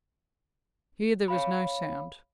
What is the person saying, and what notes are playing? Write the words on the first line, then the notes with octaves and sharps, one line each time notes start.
Here there was no sound.
C#5 F5 B5